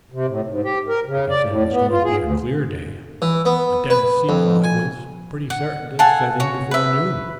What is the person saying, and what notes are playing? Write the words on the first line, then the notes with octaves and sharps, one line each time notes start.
If he said it was going to be a clear day, a dense sea-fog was pretty certain to set in before noon.
C3
A2
G#2
G4
A#4
C#3
D5
A2
B3
F4
G#4
D2
E3
B3
B4
F2
G#5
F#5
A4 F5 F#5 G#5
F#4 C#5
B4 E5